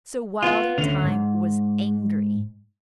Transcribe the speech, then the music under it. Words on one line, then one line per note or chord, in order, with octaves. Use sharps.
So Wild Thyme was angry.
B3 F4
D2 D3 C#4
G#2